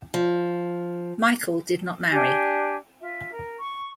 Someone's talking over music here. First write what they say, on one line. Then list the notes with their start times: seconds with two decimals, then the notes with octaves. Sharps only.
Michell did not marry.
0.14 F3
2.10 D4 G4 G#5
3.00 F4 E5
3.30 A#4
3.59 C#6